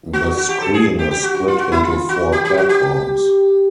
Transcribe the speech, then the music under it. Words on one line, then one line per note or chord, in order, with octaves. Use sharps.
The screen is split into four platforms.
F#4
F#4
G4
A4
G#4
G4
G4
F#4
F#4
F4
F#4
E4
F4
F#4
G4
G4
F#4
G4